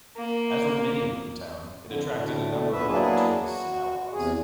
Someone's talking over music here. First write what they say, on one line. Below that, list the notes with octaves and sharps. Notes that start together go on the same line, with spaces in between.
As with many a boomtown, it attracted a number of opportunists and outlaws.
A#3
F2 D3
D2 A2 A3
D2 A#2 B3 B4 E5
F#3 A#3 B3 D4 E4 G#4
F#4
E2 C3 G#4